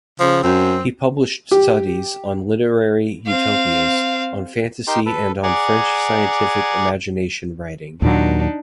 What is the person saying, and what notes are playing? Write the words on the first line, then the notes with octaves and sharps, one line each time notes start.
He published studies on literary utopias, on fantasy and on French scientific imagination writing.
C#3 F3
F#2 C4
G4
C4 F5
D#4 G4 A#4 G5 C6
A4 B4
G#4 D5 F#5 G#5 A#5 D6
D#2 A#2 F#3 D4 D#4